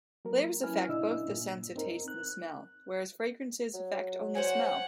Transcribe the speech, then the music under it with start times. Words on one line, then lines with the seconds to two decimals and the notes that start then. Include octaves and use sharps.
Flavors affect both the sense of taste and smell, whereas fragrances affect only smell.
0.25 F#3 A#3 A#4
0.64 F#3 C#4 E4 B4 G#5 F6
0.89 A#2 C#3 D4 E4 D#5 E6
1.27 G2 A#2
1.76 C4 D#4 A#4
2.08 F#6
3.74 F#3
4.35 C5 C#5 F#5 G#5